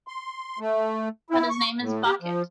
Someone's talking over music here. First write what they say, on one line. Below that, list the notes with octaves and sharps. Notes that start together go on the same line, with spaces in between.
But his name is Bucket.
C6
A3
E4
C#6
A2
G4
F3